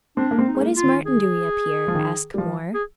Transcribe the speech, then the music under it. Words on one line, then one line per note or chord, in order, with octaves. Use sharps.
"What is Martin doing up here?" asked Moore.
C4 D4
A#3
C4
D#4
G#3
A#3
F4
D#3
G#4
F3
D#3
G3
F3
G#4